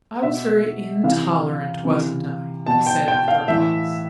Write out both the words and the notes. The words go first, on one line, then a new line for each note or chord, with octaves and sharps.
"I was very intolerant, wasn't I?" he said after a pause.
B2 E5
C3 E3 F5
C3 E3
B2 A5
G5
G5
F5
A2 E3 E5